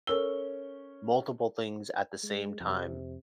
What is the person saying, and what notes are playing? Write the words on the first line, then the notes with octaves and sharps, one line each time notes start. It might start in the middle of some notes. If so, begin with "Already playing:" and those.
multiple things at the same time,
C#4 A4 A#4 E6 G7
G#3
F2 C3